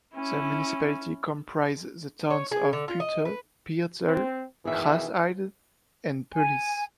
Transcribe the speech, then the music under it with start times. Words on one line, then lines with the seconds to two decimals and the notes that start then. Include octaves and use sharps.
The municipality comprises the towns of Putte, Beerzel, Grasheide and Peulis.
0.16 C#4 E4
2.30 C#5
2.51 G#4
2.73 D3
2.88 F4
3.00 D#5
3.25 B4
4.06 C4
4.65 B2 D#3 E3 G#4 E5
6.33 G#5